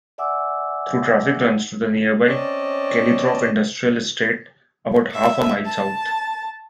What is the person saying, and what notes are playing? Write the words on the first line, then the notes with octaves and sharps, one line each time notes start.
Through traffic runs to the nearby Kelleythorpe Industrial Estate about half a mile south.
D5 E5 F#5 G#5 D6 E6
C4 C#4 D5 D#5 A5
E5
A5